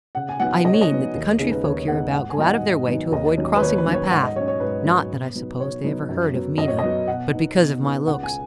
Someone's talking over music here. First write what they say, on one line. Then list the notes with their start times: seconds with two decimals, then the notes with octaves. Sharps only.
"I mean that the country folk hereabout go out of their way to avoid crossing my path--not that, I suppose, they ever heard of Mina, but because of my looks."
0.15 C#3 F#5
0.29 G#5
0.40 F#3 B3 D#4 F#5
0.65 C#3 D#5
0.73 C#5
0.81 D#5
0.89 F#3 B3 D#4
1.14 D#2
1.39 C#3 G#3 B3 D#4
1.52 B4
1.64 D#2 C#5
1.88 C#3 G#3 B3 D#4 F#5
2.13 G#2 F#5
2.30 G#5
2.37 D#3 F#3 B3 D#4 D#5
2.46 F#5
2.62 G#2
2.88 D#3 F#3 B3 D#4
3.12 D#2 D#5
3.37 D#3 F#3 C#4
3.56 B4
3.62 D#2 C#5
3.78 B4
3.86 D#3 F#3 C#4
3.94 C#5
4.11 G#2 F#5
4.23 D#5
4.36 F#3 C#5
4.40 C#4
4.48 C#5
4.60 G#2 B4
4.85 F#3 C#4
5.10 B2
5.35 F#3 B3 D#4
5.60 B2 C#5
5.84 F#3 B3 D#4
6.09 F#2
6.34 F#3 B3
6.58 F#2 D#5
6.68 C#5
6.79 F#3 B3 D#5
7.07 B2 F#5
7.33 B3 D#4
7.57 B2
7.82 B3 D#4
8.07 C#2 F#5
8.23 G#5